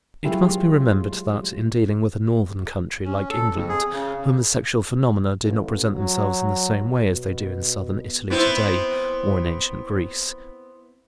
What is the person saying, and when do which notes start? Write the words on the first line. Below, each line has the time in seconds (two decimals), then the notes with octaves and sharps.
It must be remembered that, in dealing with a northern country like England, homosexual phenomena do not present themselves in the same way as they do in southern Italy today, or in ancient Greece.
0.24 F#3 G#3 E4 F4 G4 A#4
3.05 C#4
3.30 A4
3.54 F2
3.68 G#4
3.92 C#3
5.43 A1
5.94 F#3
7.09 B2
8.30 B3 C4 E4